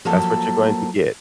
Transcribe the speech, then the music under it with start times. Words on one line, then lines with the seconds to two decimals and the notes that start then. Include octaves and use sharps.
That's what you're going to get.
0.05 F3 F#3 A#3 A4